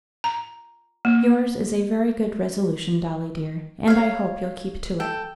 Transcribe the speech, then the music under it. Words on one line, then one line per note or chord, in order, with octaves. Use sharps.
"Yours is a very good resolution, Dolly dear, and I hope you'll keep to it."
A#5
A#3
C#5 F5
A4 G5